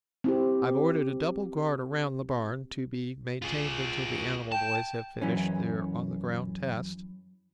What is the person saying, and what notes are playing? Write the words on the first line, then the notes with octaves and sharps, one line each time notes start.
I've ordered a double guard around the barn, to be maintained until the animal boys have finished their on-the-ground tests.
C4 E4 G4
F4 G#4
G5 A5
F#2 E3 C#4